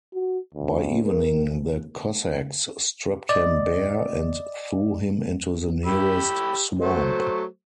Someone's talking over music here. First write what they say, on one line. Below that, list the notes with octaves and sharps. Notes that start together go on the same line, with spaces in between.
By evening, the Cossacks stripped him bare, and threw him into the nearest swamp.
F#4
D2
A#4
D5 D#5
G4 B5 E6
F#3 A3 C5